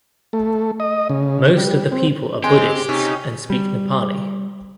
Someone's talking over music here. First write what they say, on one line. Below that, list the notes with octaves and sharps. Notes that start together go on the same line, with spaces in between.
Most of the people are Buddhists and speak Nepali.
A3
D#5
C#3
G3
C4
G#3 C4 G4 G#5 C6
C3 C#4 D#4
G3